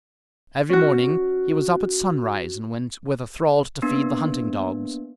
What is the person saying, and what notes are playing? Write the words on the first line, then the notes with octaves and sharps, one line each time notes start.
Every morning he was up at sunrise and went with a thrall to feed the hunting dogs.
C#4 F#4
A#3 B3 D4